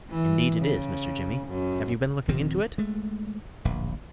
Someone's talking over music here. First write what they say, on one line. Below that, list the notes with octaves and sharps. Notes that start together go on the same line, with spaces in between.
"Indeed it is, Mr. Jimmy--have you been looking into it?"
E3
C#3
F#2
D#1 D#3 F3 C4
G#3 A3
D1 A#1